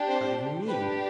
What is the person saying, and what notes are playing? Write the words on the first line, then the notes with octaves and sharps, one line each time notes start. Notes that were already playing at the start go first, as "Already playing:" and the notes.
How do you mean?
Already playing: D4 G4
C4 C5
D4 G4 B4